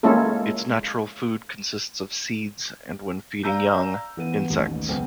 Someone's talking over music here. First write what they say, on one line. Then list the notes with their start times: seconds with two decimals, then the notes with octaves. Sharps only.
Its natural food consists of seeds and when feeding young, insects.
0.03 G#3 A#3 C#4 E4 F4 A4
3.43 D5 F5 A#5 E6 G6
4.17 E3 B3 D#7
4.50 A1 D#2
4.89 C#2 F#2 B3 C4